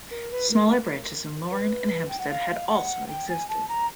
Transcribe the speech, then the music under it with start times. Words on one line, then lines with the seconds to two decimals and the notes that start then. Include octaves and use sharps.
Smaller branches in Laren and Heemstede had also existed.
0.10 A#4
0.31 B4
0.50 A#4
1.50 B4
2.08 G5
2.19 F#5
2.29 F5
2.68 F#5
3.08 G5
3.28 G#5
3.48 A5
3.68 A#5